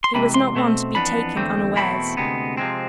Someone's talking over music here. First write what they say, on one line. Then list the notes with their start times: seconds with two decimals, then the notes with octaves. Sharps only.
He was not one to be taken unawares.
0.04 C6
0.14 D2 C3 E3 G#3 B5
0.34 C6
0.55 B2 A3 C4
0.95 F2 E3 B3 D4 B5
1.36 E2 D3 A3 C4
1.76 E2 B2 A3 C4 E4 B5
2.17 D2 C3 G#3 B3
2.57 C3 F3 G#3 C4